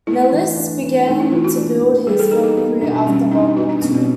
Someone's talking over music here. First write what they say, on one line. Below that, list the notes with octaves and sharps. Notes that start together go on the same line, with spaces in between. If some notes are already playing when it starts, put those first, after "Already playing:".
Nalis began to build his film career after World War Two.
A3 E4
E3
D4
E3
A3 D#4
E4
E3 F4
F#4
D4
E3
G3 G#4
A4
D#4 A#4
A4
B3 G4
B2 D4
D4
G3 C#4
D4 D#4
B3 F#4
D4
B2 C#4
C4